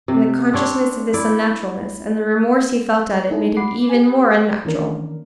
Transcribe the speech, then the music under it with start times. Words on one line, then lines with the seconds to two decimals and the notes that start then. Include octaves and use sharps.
And the consciousness of this unnaturalness, and the remorse he felt at it, made him even more unnatural.
0.08 C3
0.53 C4 D4 C#5
1.14 E4 D5
3.31 D#4 E4 G#4 A4
3.57 F#5 B5 D6 C7
3.89 G4 G#5
4.65 D#3 E3 A#3 C#4 D4 A#4